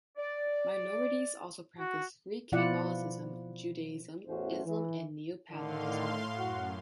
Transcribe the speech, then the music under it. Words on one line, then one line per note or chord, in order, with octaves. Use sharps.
Minorities also practice Greek Catholicism, Judaism, Islam and Neopaganism.
D5
F#4
B2 F3 E4 F4 D5 F#5
A1 E2 A3 C#4 F#4 C5
E3
A2 D3 D#3 F5 C6
F#2 F#4 F#5